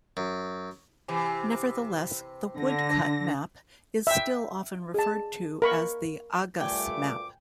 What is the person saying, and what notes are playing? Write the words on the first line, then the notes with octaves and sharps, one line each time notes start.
Nevertheless, the Woodcut map is still often referred to as the "Agas" map.
F#2
C3 E3
D3 A#6
E5 G5
G#4 A5
A#4 B5 C#6
D2 G2 A#2 G3 A3 G5 G#5 D6